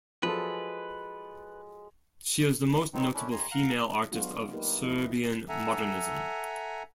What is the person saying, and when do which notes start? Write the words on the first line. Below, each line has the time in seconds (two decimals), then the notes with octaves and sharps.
She is the most notable female artist of Serbian modernism.
0.23 F3 F#3 G#3 A4 B4
2.94 D#3 F#3 B3 C4 D#4
3.14 F#2 A3 C#4 D4 E4
3.31 F#2 G3 G#5 A#5 C6
3.51 F5 F#5 A#5
4.12 F#3 G#3 B3 D4 F4 F#4
4.51 A3 A#3 D#4 G4 A#4 B4
4.83 F3 A3 E4 D#5
5.49 A4 E5 F#5 G#5 A#5